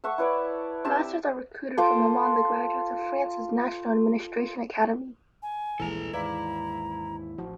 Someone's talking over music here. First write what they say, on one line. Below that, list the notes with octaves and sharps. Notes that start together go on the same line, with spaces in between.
Masters are recruited from among the graduates of France's National Administration Academy.
A4 E5 F#5 C#6
E4 B4 C#5 D5
C4 G4 E5 A5
F4 A4 C5 D6
G#5
D#1 A#1 E3 G#3 A4 A#5
D#2 G#2 E4 B4 D5 F5 A#5
A1 F3 F#4